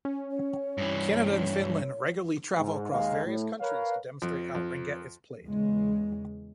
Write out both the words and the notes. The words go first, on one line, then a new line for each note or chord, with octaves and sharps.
Canada and Finland regularly travel across various countries to demonstrate how ringette is played.
C#4
C#5
G2 E3
G#2
D#2 G#2 D#5 F5
A2
A#4 B4 C#5 F5
F2
F2
E2 C#3 G#3